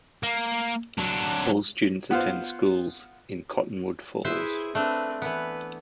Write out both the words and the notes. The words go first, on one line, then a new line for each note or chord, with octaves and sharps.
All students attend schools in Cottonwood Falls.
A#3
F#3 D4
B3 F4 C5
E4 G#4 B4 C5 E5
A3 C4 D4 B4
E3 B3 B4